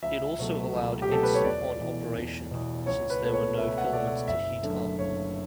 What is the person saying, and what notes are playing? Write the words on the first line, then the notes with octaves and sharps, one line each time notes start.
It also allowed "instant-on" operation, since there were no filaments to heat up.
C#2 E5
B2 F#3 A3
C#2
G4
B2 F#3 A3 A4
B4
C#5
E1 D5
E2 B2
E1
E2 B2
C#2 C#5
B4
B2 A3
C#5
C#2 E5
F#5
E5
B2 A3 D5
F#1 E5
F#2 D3 A3
F#1 C#5